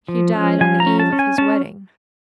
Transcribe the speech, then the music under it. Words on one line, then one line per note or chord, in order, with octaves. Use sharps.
He died on the eve of his wedding.
F3
C#4
F3 G#5
A#5
C#4
A5
C#4
G#5
C#4 A5